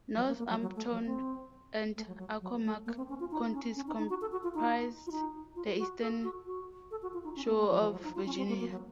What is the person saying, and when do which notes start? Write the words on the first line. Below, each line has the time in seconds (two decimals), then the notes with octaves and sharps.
Northampton and Accomack Counties comprise the Eastern Shore of Virginia.
0.16 F#3
0.28 A#3
0.38 A#3
0.50 F#3
0.62 F#3
0.76 A3
0.91 F#3
1.06 C4
1.96 A3
2.07 F#3
2.18 F#3
2.41 F#3
2.63 A3
2.86 A#3
2.97 C4
3.09 C#4
3.20 F4
3.31 D#4
3.53 C#4
3.76 C#4
3.87 D#4
3.98 D#4
4.10 F#4
4.21 A4
4.32 F#4
4.43 F4
4.55 D#4
5.07 F4
5.11 D#4
5.56 F4
5.79 F#4
6.01 A4
6.24 F#4
6.46 F#4
6.91 A4
7.02 F#4
7.14 F4
7.24 D#4
7.36 C#4
7.47 A#3
7.58 A3
7.70 F3
7.77 F#3
7.81 F3
7.92 F#3
8.04 D#4
8.15 F4
8.26 C#4
8.37 C4
8.48 A#3
8.60 A#3
8.71 F#3